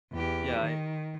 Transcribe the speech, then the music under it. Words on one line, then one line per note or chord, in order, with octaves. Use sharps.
Yeah, I
E2 G4
D#3